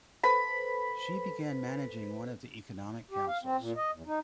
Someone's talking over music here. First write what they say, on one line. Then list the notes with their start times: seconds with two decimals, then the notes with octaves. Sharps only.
She began managing one of the Economic Councils.
0.23 A4 B4 C5 B5
3.11 G4
3.27 F5
3.43 C4
3.58 A#2
3.76 D#5
3.91 E2
4.06 D#4